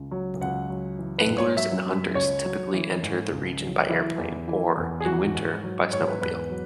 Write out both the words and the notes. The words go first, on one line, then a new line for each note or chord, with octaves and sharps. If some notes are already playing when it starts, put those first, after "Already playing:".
Anglers and hunters typically enter the region by airplane or, in winter, by snowmobile.
Already playing: C#2
F#3
C#2 F#5
F#3
E3
B4
G#2
C#5
F#3 E5
F#2
C#2 C#5
F#3
E3
G#2
C#2
F#3
E3 E4
E2
E3
E2
G#4
E3 F#4
G#2
F#3
G#2 C#5
B4
E2 B4
F#3